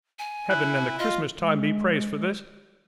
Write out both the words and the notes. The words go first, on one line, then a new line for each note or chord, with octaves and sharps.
Heaven and the Christmas Time be praised for this!
G#5
E4 F#6
F4 D#5
G#3